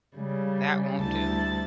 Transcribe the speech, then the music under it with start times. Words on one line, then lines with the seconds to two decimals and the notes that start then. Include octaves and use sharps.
That won't do.
0.17 C#3 G3
1.02 D2 G3 E4 A5 A6